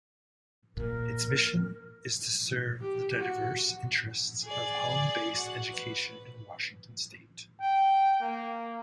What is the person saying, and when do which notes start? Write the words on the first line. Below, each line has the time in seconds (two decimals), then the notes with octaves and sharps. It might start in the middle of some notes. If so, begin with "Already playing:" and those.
Its mission is to serve the diverse interests of home-based education in Washington State.
0.77 A#2 F3 A#4
2.81 G4
3.18 F#4
4.44 G#4 D5
5.33 F#4 F#5
5.72 B4
7.60 G5
8.20 A#3